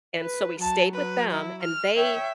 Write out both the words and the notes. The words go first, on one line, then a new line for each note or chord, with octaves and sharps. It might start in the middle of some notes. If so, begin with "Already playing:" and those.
and so we stayed with them and they
B4
F#3 A5
B4
E4
F6
C#5 E5 G5